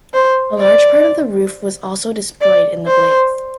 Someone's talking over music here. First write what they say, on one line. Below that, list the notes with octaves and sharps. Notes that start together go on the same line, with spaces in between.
A large part of the roof was also destroyed in the blaze.
C5
D5
D5
C5